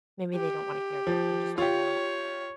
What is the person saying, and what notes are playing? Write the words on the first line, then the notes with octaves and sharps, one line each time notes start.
maybe they don't wanna hear that, they just wanna know,
G4
F3
F4 G4 C#5